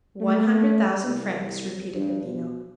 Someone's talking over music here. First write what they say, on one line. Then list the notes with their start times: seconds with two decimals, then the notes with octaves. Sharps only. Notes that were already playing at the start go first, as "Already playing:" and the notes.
"One hundred thousand francs," repeated Peppino.
0.20 A3
1.04 C2
1.95 G2
2.23 B2